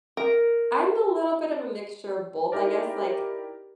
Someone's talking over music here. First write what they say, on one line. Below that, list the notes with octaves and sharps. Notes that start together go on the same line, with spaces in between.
I'm a little bit of a mixture of both, I guess, like,
A#4
D#4 E4 G4 A#4 D5